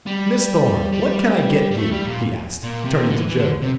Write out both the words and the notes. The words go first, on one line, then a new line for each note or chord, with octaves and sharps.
"Miss Thorn, what can I get you?" he asked, turning to Joe.
G3
G3
G3
A3
G3
A#2
A#2
C3
D3
E3
E3
D3
C3